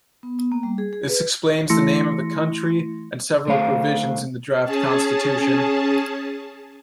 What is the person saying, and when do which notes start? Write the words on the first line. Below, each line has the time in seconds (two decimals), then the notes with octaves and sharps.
This explains the name of the country and several provisions in the draft constitution.
0.23 B3
0.39 B3
0.52 A#3
0.63 G3
0.78 G#4
0.93 G#4
1.08 B4
1.69 E3 A3 E4 C6 A#6 C#7
3.48 D3 A3 C5 F5
4.64 C#4 G#4 A5